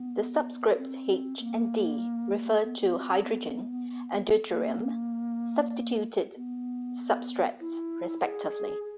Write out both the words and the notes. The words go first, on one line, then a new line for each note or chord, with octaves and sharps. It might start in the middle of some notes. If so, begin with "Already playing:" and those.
The subscripts H and D refer to hydrogen and deuterium substituted substrates, respectively.
Already playing: B3
C4
A#3
B3
B3
C4
C4
B3
A#3
B3
E4
G#4